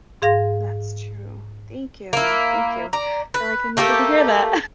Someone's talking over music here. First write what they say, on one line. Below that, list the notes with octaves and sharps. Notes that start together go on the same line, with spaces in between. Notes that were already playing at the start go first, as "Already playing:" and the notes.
That's true. Thank you, thank you. I feel like I needed to hear that.
G#2 G#4 F5 C6 A#6
A#3 E4
D5 A#5
B4
A3 A#3 G4 A4